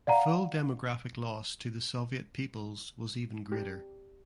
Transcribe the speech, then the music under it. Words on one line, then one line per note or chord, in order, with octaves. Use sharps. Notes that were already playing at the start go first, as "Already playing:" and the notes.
The full demographic loss to the Soviet peoples was even greater.
D5 F5 F#5 A#5
G4